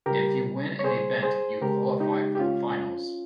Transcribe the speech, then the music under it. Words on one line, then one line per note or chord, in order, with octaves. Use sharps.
If you win an event you qualify for the finals.
C#3 G3 G4 A#4
C#5
G#4 C5
G#4 C5
C#3 G#3 G4 A#4
D#4 G4
G4
C#4 F4